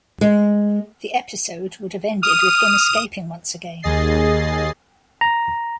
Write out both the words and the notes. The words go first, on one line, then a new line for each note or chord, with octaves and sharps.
The episode would have ended with him escaping once again.
G#3
D#6 F6 D#7
D#2 G#4 D#5 A6 C7
A#5